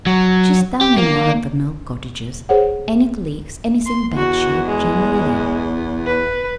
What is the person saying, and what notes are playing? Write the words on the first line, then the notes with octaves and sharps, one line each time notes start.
She's down in one of the mill cottages, and it leaks and is in bad shape generally.
F#3
G4
A#3
G#4 C5 C#5 F#5
C6
E2 F#4
G#3
B4